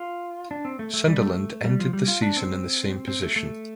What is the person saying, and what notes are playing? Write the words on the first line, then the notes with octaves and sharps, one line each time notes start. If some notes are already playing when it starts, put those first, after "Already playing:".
Sunderland ended the season in the same position.
Already playing: F4
D4
C4
A3
A3
G3
A3
G3
F3
G3
F4
D4
C4
C4
A3
A3